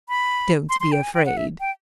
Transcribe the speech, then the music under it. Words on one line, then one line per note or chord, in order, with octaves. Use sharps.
"Don't be afraid."
B5
C6
C6
G5
G#5
G5
F#5
E5
G5